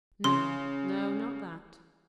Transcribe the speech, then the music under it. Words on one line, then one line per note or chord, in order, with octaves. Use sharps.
No, no: not that.
C#3 C6